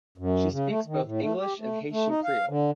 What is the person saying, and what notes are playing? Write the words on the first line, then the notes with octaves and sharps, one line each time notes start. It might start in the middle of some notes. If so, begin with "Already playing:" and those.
She speaks both English and Haitian Creole.
F#2
C#3
A3
D#3
A2
A3
G4
A3
A3
D#4
F5
D3